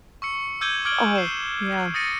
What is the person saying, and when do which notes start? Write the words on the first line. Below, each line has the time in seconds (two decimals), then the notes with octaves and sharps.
Oh, yeah.
0.22 C#6 E6 C#7
0.61 D6 E6 G6 G#6 D#7 G7
0.85 D6 F6 G#6 D7 F#7 G7
1.16 C7 E7
1.94 D#6 A6 A#6 C#7 D#7